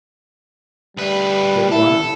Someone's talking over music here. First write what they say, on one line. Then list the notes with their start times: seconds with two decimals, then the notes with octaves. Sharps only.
A good one?
0.97 D2 G3 B4
1.71 E4 A4